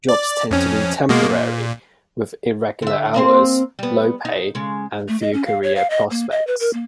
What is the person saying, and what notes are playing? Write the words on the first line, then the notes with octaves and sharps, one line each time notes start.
Jobs tend to be temporary, with irregular hours, low pay and few career prospects.
D5
F2 C#4
B2 G#3 A#3
A#2
D3 E5
A#3 C4 C5
G3 B3
D#4
C#3 G#3
A3
D#5
C#4
F5
C#5
F5
D#5
A#3
D#5
B4
A#4
A#3